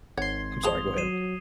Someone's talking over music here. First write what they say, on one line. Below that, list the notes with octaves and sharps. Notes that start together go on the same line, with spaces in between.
I'm sorry, go ahead.
G#1 C#5 F#5 C6 G#6
F3 G#4 A5 D#6 F7 G7
F#3 C7 D#7 E7